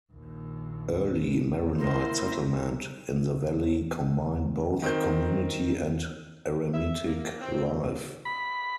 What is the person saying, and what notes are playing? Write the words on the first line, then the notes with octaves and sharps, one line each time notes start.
Early Maronite settlement in the valley combined both community and eremitic life.
A#1 D#2
A#3 E4 A#4 C5
D#3 C4 A#4 G6
E5
A#3
C4
B5